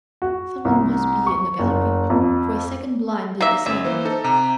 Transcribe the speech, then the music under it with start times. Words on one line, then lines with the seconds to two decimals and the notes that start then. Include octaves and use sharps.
Someone must be in the gallery, for a second blind did the same.
0.22 F#4
0.65 C2
1.27 C#6
1.59 F#1
2.10 F2
3.41 A#3 D#4 E5 A#6
3.66 G1 C#4 E5
3.84 E3 A#3 C5
4.05 D#4 A4
4.24 C3 G4 A#5